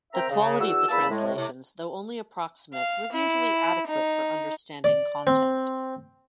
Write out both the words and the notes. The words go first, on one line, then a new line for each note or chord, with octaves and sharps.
The quality of the translations, although only approximate, was usually adequate for understanding content.
C4 A#4 E5 G5 A#5
C#3
E2 F#4 E6
E2 A#3 A5 B5 E6
A2 G#3
A2 C3
F5
E4
D#4
D5
C4